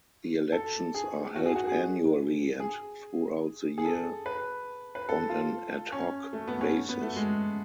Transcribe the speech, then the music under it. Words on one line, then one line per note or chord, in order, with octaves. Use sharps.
The elections are held annually and throughout the year on an ad hoc basis.
A4
G#4
F#4
G#4
F#4
G#4
G#4
G#4
A4
B4
B4
A4
F4
C#4
A3
B3
C#4
B3
A3
G#3